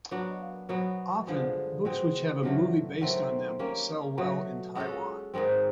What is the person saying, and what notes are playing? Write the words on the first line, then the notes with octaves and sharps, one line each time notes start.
Often books which have a movie based on them sell well in Taiwan.
F#3 B3 D4 F#4
B2 F#3 B3
G2 D3 F3 G#3
B2 G#3 C4
G2 D3 F#3 A3
D#3 F#3 A3 C4
G3 A#3 C#4
B2 F#3 A3
G#3 C#4 F#4 A4
G#2 D#3 G#3 C4